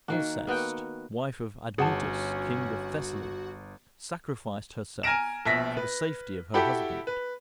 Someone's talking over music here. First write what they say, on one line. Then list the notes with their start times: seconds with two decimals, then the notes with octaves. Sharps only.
Alceste, wife of Admetus king of Thessaly, sacrificed herself for the safety of her husband.
0.08 D#3 A#3 F#4
0.47 A#3 B3 F#4 G5
1.78 G1 C#4 F#4 G#4 F#5 A5
5.03 G#5 A#5 F6 A#6 D7 E7
5.46 A#1 B2 E5 A#6 B6
5.77 B4
6.54 E4 F#4 G4 A4 G5 B5
7.07 B4